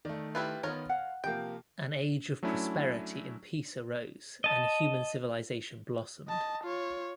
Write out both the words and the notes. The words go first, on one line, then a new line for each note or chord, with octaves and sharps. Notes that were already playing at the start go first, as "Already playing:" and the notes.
An age of prosperity and peace arose and human civilization blossomed.
D#3 A3 D5
G3 E4 F4 B4
D#3 B3 F4 A#4 C#5
F5 F#5
C3 F3 A#3 G5
F#3 A3 C#4 D4 E4
D#5 A5
D#5 A5
F4 C#5